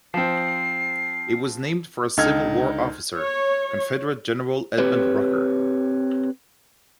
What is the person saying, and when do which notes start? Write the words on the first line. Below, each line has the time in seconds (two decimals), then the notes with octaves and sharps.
It was named for a Civil War officer, Confederate General Edmund Rucker.
0.14 F3 C4 C7
2.17 C#2 D3 D#4 A4 F6 G#6
3.19 C#5
4.78 C4 G4 B4 C#5